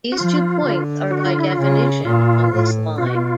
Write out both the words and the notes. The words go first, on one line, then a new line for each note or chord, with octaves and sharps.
These two points are by definition on this line.
F#4
F3 F4
D3
F#4
F4
E4
F4
C#3
A#2 F4
A2
B2 F4
F#4
F4